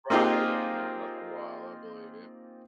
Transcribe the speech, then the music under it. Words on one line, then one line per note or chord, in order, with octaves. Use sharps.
Right, yeah, no, nothing wild, I believe you.
A#3 C4 D#4 F4 G4 G#4